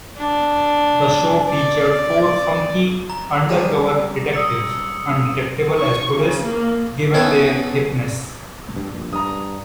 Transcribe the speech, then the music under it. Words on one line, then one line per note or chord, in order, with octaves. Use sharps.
The show featured four "funky" undercover detectives: undetectable as police, given their "hipness".
D4
D5
A#5
C#3 G3
D#6 E6 C#7
C#6
C#3
A#3
B3 C#4 E4 G#4 A4 B4
G2
A#1
G2 A#5 D#6